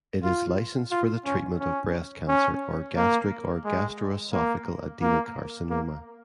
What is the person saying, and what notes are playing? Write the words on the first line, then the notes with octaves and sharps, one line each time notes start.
It is licensed for the treatment of breast cancer or gastric or gastroesophageal adenocarcinoma.
F4
F4
C#4
C#4
C#4
A#3
G#3
A#3
A#3
A#3